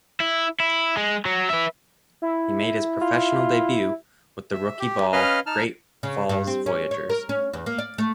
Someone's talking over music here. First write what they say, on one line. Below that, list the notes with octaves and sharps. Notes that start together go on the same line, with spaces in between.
He made his professional debut with the rookie ball Great Falls Voyagers.
E4
E4
G#3
F#3
B4 E5
E4
F4
E5
G4
C#4 B4 D#5 F5 F6
D#4 A5 F6
C#3
G2
C4
C#4
C#5
A#4
C#4
E2
A#3
D5
A3